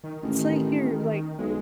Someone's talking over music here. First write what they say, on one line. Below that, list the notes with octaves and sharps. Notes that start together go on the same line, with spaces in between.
It's like you're like
D#3
A1
B1 G#3